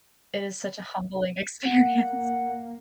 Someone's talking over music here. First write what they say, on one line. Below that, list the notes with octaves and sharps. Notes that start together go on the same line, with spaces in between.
It is such a humbling experience.
A#3 F#5